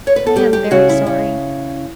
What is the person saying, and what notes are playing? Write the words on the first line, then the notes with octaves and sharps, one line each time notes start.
I am very sorry.
C#5
B4
A4
G3 G4
G4
C#3 F#4
E4
C#3